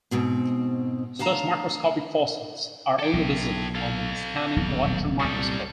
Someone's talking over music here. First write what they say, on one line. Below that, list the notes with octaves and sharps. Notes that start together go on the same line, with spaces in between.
Such microscopic fossils are only visible under the scanning electron microscope.
G#2 B2 C4
D2 F5 A5 A#5
A4 G5
B1
A4 F5
D#1 B1 E2
C2 A#2 G3 A4